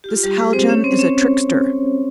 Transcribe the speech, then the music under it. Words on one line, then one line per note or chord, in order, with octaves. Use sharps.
This Haljan is a trickster!
G4
F4
G3 G4
G#3 G#4
C4 C5
C#4 C#5
C4 C5
C#4 C#5